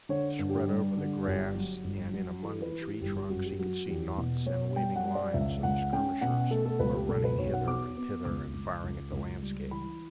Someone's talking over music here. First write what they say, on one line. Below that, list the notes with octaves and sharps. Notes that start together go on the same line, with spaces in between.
Spread over the grass and in among the tree trunks, he could see knots and waving lines of skirmishers who were running hither and thither and firing at the landscape.
D3 C#5
G2
G4
G3
D3
G1 G4
F#3
G1
F#3
E3 A4
B4
E3
G4
G1 G4
G4
F#2 F#4
G4
F#3 F#4
E2 G4
B2
B2 C#5
G3 G5
F#5
G3
D5
C#2 E5
C#2 F#5
C#4 G5
B2 F#5
A3 A4
A4
C#2 B4
G4
B2 A4
B4
B1 C#5
F#5
B3 D6
B3
C#2 D6
C#2
C#2
C#2
G3
E3 B5